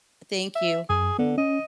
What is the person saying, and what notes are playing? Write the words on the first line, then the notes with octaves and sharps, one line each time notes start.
Thank you,
E5
F#2 G#4
D3 B3
C#4 D#5